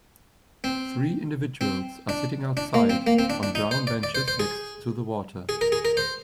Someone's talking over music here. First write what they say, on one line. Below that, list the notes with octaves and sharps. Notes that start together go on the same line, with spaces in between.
Three individuals are sitting outside on brown benches next to the water.
C4
C4
D4
D4
A#3
C4
A#3
C4
D4
D4
D#4
C5
D5
D5
C5
C5
G#4
G#4
A#4
G#4
A#4
C5